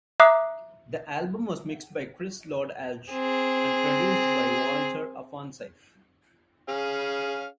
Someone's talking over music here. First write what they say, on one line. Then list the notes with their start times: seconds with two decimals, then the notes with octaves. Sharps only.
The album was mixed by Chris Lord-Alge and produced by Walter Afanasieff.
0.20 E5 A#5 D6 D#6 F#6 C7
3.11 C4 G#4
6.68 C#4 G#4 F5